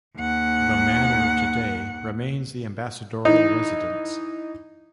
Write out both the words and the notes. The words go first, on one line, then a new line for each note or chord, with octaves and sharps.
The manor today remains the ambassadorial residence.
D#2 F#5
E3 D#4